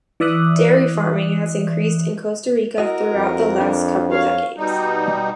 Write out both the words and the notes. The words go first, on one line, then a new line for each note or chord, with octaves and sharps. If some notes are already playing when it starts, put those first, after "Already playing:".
Dairy farming has increased in Costa Rica throughout the last couple decades.
E3 D5 E5 D#6 F#6
E4 F#4 A#4 D#5
F2
D4
C#5 F5
B2 G3 D#4